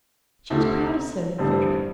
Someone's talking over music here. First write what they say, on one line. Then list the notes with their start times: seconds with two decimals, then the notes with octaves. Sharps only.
She was proud of serving Frederick.
0.50 D2 C3 A3
1.38 A1 G2 D3 G3 C4